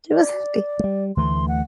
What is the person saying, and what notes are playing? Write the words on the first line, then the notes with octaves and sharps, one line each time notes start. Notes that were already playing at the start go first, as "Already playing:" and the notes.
She was happy.
D5
G3 G#3
D2 E3 A3 C6
F#5